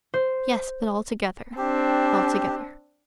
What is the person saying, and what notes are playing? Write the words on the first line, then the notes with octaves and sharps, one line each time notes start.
"Yes, but altogether; altogether."
C5
C4 D4 G4